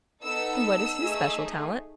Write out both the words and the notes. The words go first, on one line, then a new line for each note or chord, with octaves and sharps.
"And what is his especial talent?"
B3 D#4 A4 E6
A3 D#4 G#4